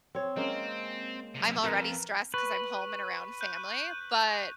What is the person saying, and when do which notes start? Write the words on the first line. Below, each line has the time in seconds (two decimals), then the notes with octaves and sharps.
I'm already stressed 'cause I'm home and around family, but,
0.15 C4 C#5
0.37 G#3 A#3 C4 C#4
1.35 F#2 C3
1.64 F2 A#4 B4
2.34 B4 C#6
3.41 F#6 G6 D#7